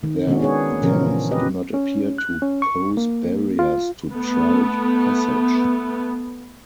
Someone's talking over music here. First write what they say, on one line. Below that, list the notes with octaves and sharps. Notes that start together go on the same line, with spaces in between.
Their dams do not appear to pose barriers to trout passage.
D#3
D#3 G#3 B3 C#4 D4 F#4
B3 D4 G#4 C#5
A#2 C#3 E3 F3 C#4 A#4
C4 G4 B4 D#5
C#4
F#6
C#4
C#6
A#3
F4
A3 B3